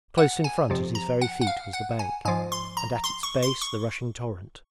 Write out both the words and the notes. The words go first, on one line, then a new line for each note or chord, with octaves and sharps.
Close in front at his very feet was the bank, and at its base the rushing torrent.
F#5
G#5
F2 C3 F3
A#5
F#5
F#5
F5
F#5
G#5
G#2 F3 G#5
C6
A#5
C6
C#6
C6
C#6